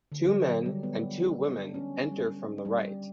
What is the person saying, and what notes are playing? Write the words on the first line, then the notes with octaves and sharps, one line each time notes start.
Two men and two women enter from the right.
D3
F#3
F#3
G3
B3
D4
C#4
G3
G3